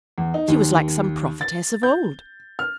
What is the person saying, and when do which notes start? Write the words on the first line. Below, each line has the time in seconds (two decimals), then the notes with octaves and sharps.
She was like some prophetess of old.
0.18 E2
0.34 D#4
0.48 D#2
1.41 A6
1.83 G6
2.59 F6